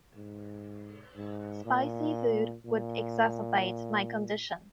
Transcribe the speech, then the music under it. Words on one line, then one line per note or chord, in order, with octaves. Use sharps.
Spicy food would exacerbate my condition.
G#2
G#2
A#2
A#2